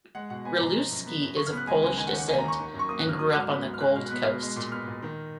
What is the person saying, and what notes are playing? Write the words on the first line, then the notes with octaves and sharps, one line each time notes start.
Gruzlewski is of Polish descent and grew up on the Gold Coast.
G#3 F#5
B2 F#5
B3 G#5
B2 A#5
F3
F#2
B3
F#2
C#3 C#6
F6
B3
F#6
G#3 G#5
C#2 G#5
D#3 G#5
F#5
D#2
F#5
A#3 G#5
A#5
D#2 C#6
D#3
F#2
C#6
A#3 D#6
F#6
F#2 F6
F#3 D#6
F#6
G#2 F6
B3
G#2
F6
G#3 F#6
B2 F6
B3 F#6
B2 F6
G#3
A#2
B3 F6
A#2
D#3